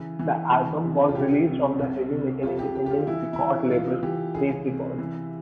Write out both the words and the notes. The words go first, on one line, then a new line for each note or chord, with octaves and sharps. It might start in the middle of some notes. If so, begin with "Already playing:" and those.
The album was released on heavy metal independent record label, Neat Records.
Already playing: C#3 E3
E3
E2
C3
F4
C2 G4
C3
C2
C3
F2 F4
G4
C#3 G4
G4
F4
E3 E4
E4
E3
E3 F4
E3 G4
C#2 G#4
C3
E3